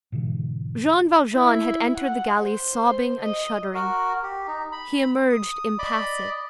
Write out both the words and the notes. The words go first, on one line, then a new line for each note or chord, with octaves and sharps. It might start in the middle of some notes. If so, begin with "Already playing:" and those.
Jean Valjean had entered the galleys sobbing and shuddering; he emerged impassive.
G#2 B2 D3 E3
E4
F#5
C5
D#5
F#4 A#4
G4
D#4
B5
D#6
D5 D#5 B5 D6